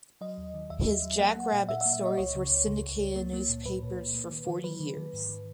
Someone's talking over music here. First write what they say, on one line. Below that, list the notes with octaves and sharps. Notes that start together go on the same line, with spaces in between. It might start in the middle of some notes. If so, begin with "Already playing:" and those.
His "Jack Rabbit" stories were syndicated in newspapers for forty years.
F#3 D#5
D#2
D#3
D#2 E5
D#2
F#3
A#3 F#5
A#3
A#2
A#2 E5
E5
A#3
E5
A#3 D#5
C#2 C#5
C#3
C#2
C#3
C#2
C#2
A#3
A#3
A#2
A#2 B4
A#2
A#2
A#3
D#3
D#3
F#3 B4
D#3
D#3
G#2
D#3